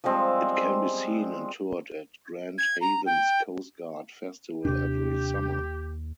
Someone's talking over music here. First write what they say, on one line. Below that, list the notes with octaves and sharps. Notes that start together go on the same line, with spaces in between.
It can be seen and toured at Grand Haven's Coast Guard Festival every summer.
F3 G3 G#3 C4
G#6
A#5
G5
D#2 C3 D4 G4